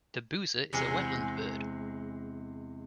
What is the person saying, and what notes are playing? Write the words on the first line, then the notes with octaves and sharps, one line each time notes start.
The boozer is a wetland bird.
E2 C3 G#3